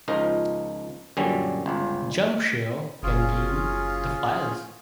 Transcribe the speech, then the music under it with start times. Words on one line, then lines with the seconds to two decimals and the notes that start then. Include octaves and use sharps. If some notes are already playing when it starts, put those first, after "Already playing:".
Jumpshare can view the files.
0.08 C#2 F3 D#4 A#4
1.17 F#2 A#2 D3 G3 C#4
1.66 G1 C#2
3.03 F#1 C#4 F4 G#4